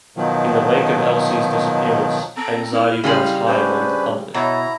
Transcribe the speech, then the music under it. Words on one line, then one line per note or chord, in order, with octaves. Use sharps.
In the wake of Elsie's disappearance, anxiety runs high among the public.
B2 D#3 F3 F#3
C4 A4 A#5
E4 F6
C#3 G3 G#3 F5 F6
C#4 D4 B4 C5
B2 E4 C#5 A#5